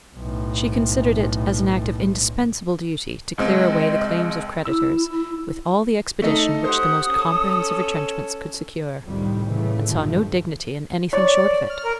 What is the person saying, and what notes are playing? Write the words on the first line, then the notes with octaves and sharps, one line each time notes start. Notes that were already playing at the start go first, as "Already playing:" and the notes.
She considered it as an act of indispensable duty to clear away the claims of creditors with all the expedition which the most comprehensive retrenchments could secure, and saw no dignity in anything short of it.
B1 A2
C#2 G#3 C4 D#5
E4 E6
A3 D#4 A4
G4 C5 F#5 D#6
C#4 A4
C2 F2 A2 D#3 G3
A2 C#3 E3 A3
A#1 G2 D3 D#3 F3 A3
C#5 D5
F6
A#4